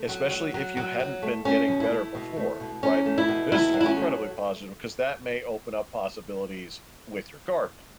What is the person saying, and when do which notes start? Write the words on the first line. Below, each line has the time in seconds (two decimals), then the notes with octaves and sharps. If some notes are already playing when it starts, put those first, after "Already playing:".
Especially if you hadn't been getting better before, right? This is incredibly positive 'cause that may open up possibilities with your gardening,
Already playing: A3
0.09 F#3
0.31 F#3
0.54 F#3
0.77 F#3
1.00 F#3
1.22 A3
1.45 A3 C#4
1.68 B2
1.80 E4
1.91 A3
2.15 B2
2.37 A3
2.60 B2
2.83 E2 C#4
3.06 A3
3.18 E4
3.28 B2
3.52 E2 E4
3.74 F#3
3.81 E4
3.86 C#4
3.97 A3